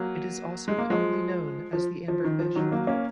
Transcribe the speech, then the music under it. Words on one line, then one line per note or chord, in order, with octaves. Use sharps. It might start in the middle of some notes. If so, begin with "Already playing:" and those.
It is also commonly known as the amber fish.
Already playing: F#3 A#3
G#3
A#3
F3 G#3
F3
F3
D#3
F3
D#3 F#3
F#3 A#3
A#3 C#4